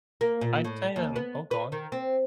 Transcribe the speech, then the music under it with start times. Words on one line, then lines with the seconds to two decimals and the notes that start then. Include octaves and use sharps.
I'd say, um Oh, go on.
0.21 A#3
0.41 A#2
0.65 A2
0.96 D#2
1.16 B3
1.51 B4
1.72 D#3
1.92 C4